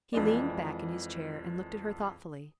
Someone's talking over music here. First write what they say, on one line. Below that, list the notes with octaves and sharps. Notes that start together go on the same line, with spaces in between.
He leaned back in his chair and looked at her thoughtfully.
F2 E3 G#3 D5